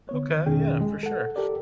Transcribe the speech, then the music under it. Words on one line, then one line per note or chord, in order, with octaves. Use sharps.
Okay, yeah, for sure.
D3 B3 C#5
D#3
F2 B2 D#3 C#4 G#4 G5
G#3
A4 F#5
G4 A4 A#4 D5